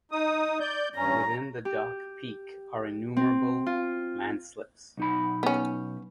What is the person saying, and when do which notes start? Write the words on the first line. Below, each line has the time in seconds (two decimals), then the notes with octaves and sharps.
Within the Dark Peak are innumerable landslips.
0.12 D#4 D#6
0.60 D5 G6
0.96 G2 C#4 A#5
1.65 G4
3.17 C4
3.66 F4
4.97 B1 D#4 B5
5.43 B3 C#4